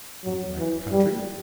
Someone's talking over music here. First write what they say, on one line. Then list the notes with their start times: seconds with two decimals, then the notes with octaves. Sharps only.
"Do you like the country?"
0.25 F#3
0.58 E3
0.92 G3